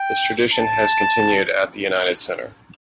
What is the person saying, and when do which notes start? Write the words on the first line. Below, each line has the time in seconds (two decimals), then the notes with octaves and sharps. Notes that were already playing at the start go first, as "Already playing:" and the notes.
This tradition has continued at the United Center.
Already playing: G5
0.53 A5